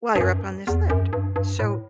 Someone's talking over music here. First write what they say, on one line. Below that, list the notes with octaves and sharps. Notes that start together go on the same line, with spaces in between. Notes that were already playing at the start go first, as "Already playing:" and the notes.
while you're up on this lift So,
G2
F#2
E2
F#2
G2
G2
A2